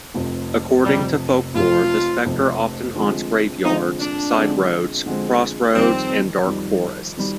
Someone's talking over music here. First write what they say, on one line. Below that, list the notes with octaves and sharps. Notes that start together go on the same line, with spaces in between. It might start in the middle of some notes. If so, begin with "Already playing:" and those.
According to folklore, the spectre often haunts graveyards, side roads, crossroads and dark forests.
F1 F2 C3
F1 F2 C3 G3
F1 F2 C3 F4
F1 F2 C3
D3 F3 G#3 C4
D3 F3 G#3 C4 D#4
D4
D3 F3 G#3 C4
D3 F3 G#3 C4
F2 D#3 G3 C4
F2 D#3 G3
D#3 G3